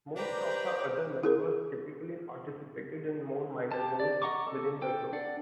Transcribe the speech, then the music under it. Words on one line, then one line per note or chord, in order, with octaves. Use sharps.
Most of the other members typically participated in more minor roles within the group.
D4 G4 B4 C5 A#5
E4 G#4 A#4
G4 A5
D5
D#5 F#5 A#5 C#6 D6
A4
A4 G5
D4 D5 F#5